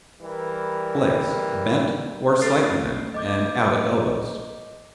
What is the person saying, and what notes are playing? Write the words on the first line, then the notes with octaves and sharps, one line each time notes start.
LEGS--Bent, or slightly bent, and out at elbows.
E3 G3 A#4
A3 C#4 A4 F6 A6 C7
D#5 D6 G6